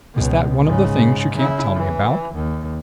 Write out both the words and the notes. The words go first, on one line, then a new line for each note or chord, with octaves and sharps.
"Is that one of the things you can't tell me about?"
C#2 B2
G#2 C#3
C#3 E4
E3
D#2